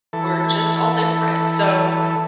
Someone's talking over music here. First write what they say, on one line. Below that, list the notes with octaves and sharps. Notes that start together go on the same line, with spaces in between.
we're just all different, so
E3 A4